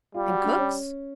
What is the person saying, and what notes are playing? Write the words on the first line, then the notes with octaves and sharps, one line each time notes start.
"And cooks?"
G3 F4
F#4
D4
C#4